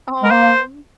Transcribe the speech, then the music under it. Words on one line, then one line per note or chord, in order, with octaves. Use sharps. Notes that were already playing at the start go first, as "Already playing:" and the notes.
Oh, n
G#3 A#4
A#3 C5